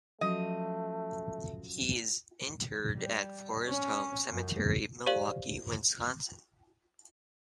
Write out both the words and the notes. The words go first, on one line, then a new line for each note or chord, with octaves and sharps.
He is interred at Forest Home Cemetery, Milwaukee, Wisconsin.
F3 F#3 A3 C#4 D#5
G3
C#4
F#2
G4 C5 D5 F5 F#7